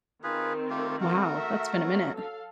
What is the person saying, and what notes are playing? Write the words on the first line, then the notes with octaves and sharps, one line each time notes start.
Wow, that's been a minute.
D#3 C4 F4 G#4 B4
A3 F4 G4
A3 F#4 A#4
E5
F#3 B3 C4
A4 F5